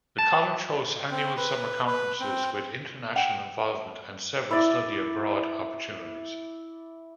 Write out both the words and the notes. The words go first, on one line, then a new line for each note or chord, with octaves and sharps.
The college hosts annual summer conferences with international involvement and several study abroad opportunities.
A5
C4
B4
B4
C4
F#5 G5
E4 D5